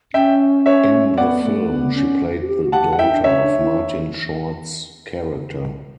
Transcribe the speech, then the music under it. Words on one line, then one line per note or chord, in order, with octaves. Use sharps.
In the film, she played the daughter of Martin Short's character.
C#4 E5 G5
C#5 E5
B3 D5 F#5
A3
B3
C#4
F#4
G4
F#4
G4 F#5 A5
F#5
E4 E5 G5
D4
C#4 C#5 E5
D4
E4